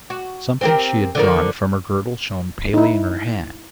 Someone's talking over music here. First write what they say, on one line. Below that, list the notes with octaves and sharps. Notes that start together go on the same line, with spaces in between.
Something she had drawn from her girdle shone palely in her hand.
F#4
C4 G4 A#4
D3 F3 A#4
D#4 E4